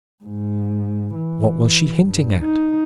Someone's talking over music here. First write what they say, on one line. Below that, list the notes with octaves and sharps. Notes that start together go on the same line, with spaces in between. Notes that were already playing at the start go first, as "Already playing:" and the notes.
What was she hinting at?
G#2
E3
G2
D#4